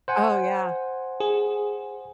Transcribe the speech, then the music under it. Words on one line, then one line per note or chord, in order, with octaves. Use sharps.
Oh, yeah.
C5 F#5 G#5
G#4